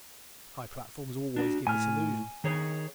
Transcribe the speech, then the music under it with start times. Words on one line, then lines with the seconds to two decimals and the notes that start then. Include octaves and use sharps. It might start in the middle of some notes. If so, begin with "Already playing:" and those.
High platforms always give this illusion.
1.36 D4 F#4
1.67 A2 G#5 F6
2.44 D#3 G#4 C#5